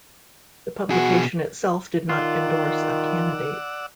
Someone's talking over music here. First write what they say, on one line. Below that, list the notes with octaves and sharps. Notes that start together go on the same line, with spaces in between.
The publication itself did not endorse a candidate.
B2 F#4 G#4
D#3 F4 D5 F#5 E6